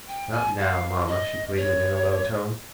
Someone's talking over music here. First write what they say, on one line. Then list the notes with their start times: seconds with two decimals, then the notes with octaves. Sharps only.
'Not now, mama,' she pleaded in a low tone.
0.08 G5
0.32 G#5
0.58 F5
1.08 D#5
1.57 C#5